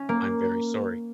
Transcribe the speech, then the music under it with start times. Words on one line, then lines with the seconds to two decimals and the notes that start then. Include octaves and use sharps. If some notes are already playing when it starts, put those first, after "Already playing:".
I’m very sorry.
Already playing: C#4
0.09 A#3